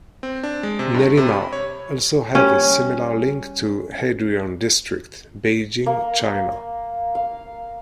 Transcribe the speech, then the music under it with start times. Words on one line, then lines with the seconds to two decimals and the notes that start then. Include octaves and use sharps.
Nerima also has a similar link to Haidian District, Beijing, China.
0.23 C4
0.43 D4
0.63 G#3
0.79 C3
0.94 G2
1.17 C3
1.32 B5
1.53 C#5
2.35 G3 C#4
5.86 A#3
7.15 F5